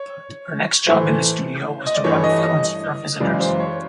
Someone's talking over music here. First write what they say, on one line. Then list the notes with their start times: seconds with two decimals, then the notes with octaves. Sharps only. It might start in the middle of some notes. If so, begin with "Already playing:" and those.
Her next job in the studio was to run films for visitors.
Already playing: C#5
0.87 A2 E3 A3 C5
1.87 D#5
1.95 D5
2.04 G2 E3 A3 C#5
2.24 D#5
2.43 D#5
3.20 F#2 C#3 E3 G#3 D5
3.40 C5
3.60 C#5